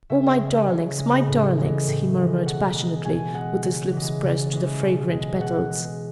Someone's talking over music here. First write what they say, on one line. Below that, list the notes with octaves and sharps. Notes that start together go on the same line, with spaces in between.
"Oh, my darlings, my darlings!" he murmured passionately, with his lips pressed to the fragrant petals.
C#3 E5
G#3
C#3
G#3
A2
E3 G#3
A2
E3 G#3
B2 F#5
G#3
B2 G#5
G#3 F#5
C#3 F#5
E3 G#3
C#3
E3 G#3
B2
G#3
B2 F#5
G#3